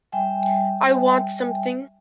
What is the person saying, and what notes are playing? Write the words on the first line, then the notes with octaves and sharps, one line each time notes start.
I want something.
G3 E5 G5 G#5